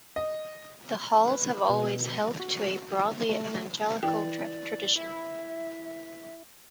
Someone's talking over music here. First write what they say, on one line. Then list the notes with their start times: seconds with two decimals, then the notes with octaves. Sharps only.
The halls have always held to a broadly evangelical tradition.
0.16 D#5
1.29 B4
1.69 B2
2.40 F#4
3.29 A3
4.03 E3 D5 G5
4.96 E4 E5